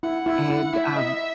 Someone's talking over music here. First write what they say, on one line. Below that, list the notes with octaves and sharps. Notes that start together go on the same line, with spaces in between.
and, um
E4 F#5
E4
E4
E4 E5
D#5